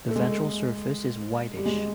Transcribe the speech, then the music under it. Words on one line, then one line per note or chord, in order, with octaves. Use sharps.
The ventral surface is whitish.
A3
G#3
G3
G#3